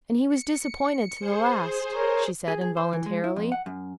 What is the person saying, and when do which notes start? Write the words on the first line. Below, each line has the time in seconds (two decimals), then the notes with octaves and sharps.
"And he was disappointed to the last," she said, involuntarily.
0.29 C#7
1.20 G#4 C5
1.95 A#4 C#5
2.48 G#4
2.61 G#4
2.77 C5
2.93 E3
3.06 G#3
3.24 E4
3.36 F2
3.52 F#5
3.66 F#2